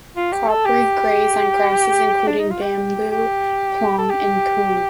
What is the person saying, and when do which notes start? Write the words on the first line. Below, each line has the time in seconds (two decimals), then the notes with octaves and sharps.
Kouprey graze on grasses, including bamboo, ploong, and koom.
0.17 F4
0.33 G4
0.49 A4
0.65 G4
2.27 D4
2.39 D#4
2.51 F4
2.62 G4
3.12 G4
3.98 A4
4.10 G4